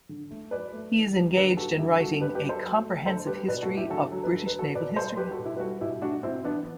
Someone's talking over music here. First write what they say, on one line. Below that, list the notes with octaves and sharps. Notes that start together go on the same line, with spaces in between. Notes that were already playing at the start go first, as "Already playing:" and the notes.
He is engaged in writing a comprehensive history of British naval history.
D3
A3
F#3 B4 D5
A3
E3
G3
D3 G4 B4
G3 F#4 A4
D3 E4 G4
G3 F#4 A4
D3 G4 B4
G4 B4
F#3
A4 C5
F#3
A3
D3 A4 C5
G3 G4 B4
B2 B4 D5
F#4 A4
A3
E4 G4
D3 F#4 A4
F#3 A4
B4
D3 A4
B4
F#3
F#4 A4
B2 B4 D5
G3 A4 C5
G3 G4 B4
F#4 A4
B2
E4 G4
B4
G3 F#4 A4
B2 E4 G4
A3 D4 F#4
B2 C4 E4
E3 B3 D4